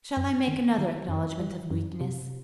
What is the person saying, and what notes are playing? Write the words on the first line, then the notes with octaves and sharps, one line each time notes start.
Shall I make another acknowledgment of weakness?
F#2
D#3
D#3
F#2
G3
F#2
C3